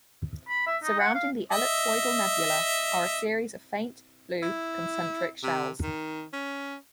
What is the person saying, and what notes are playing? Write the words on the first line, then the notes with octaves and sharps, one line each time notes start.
Surrounding the ellipsoidal nebula are a series of faint, blue concentric shells.
B5
E5
D#4
F#5
F5
D#5 E5
E4
C3
D#3
C#4